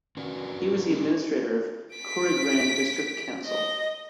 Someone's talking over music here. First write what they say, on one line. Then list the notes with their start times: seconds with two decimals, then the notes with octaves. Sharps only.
He was the administrator of Kurigram district council.
0.17 C#4 D4 F#4 A#4 B4
0.91 C#4 E4 F4 G4 A4 A#4
1.96 B6 D7
3.46 D#5